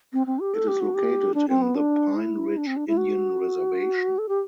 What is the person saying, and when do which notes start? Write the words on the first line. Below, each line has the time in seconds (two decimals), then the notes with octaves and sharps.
It is located in the Pine Ridge Indian Reservation.
0.13 C4
0.27 C4
0.40 G4
0.54 A4
0.68 G4
0.80 F#4
0.94 G4
1.34 D4
1.49 C4
1.62 B3
1.75 D4
2.16 E4
2.57 D4
2.67 C4
2.76 D4
2.87 E4
2.97 F#4
4.18 A4
4.29 G4